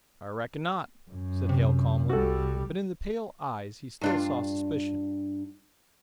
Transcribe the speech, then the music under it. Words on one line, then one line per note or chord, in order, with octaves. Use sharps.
"I reckon not," said Hale calmly, but in the pale eyes he still saw suspicion.
F#2
C3
C2 G3 F#4 A4
G2 D4 F4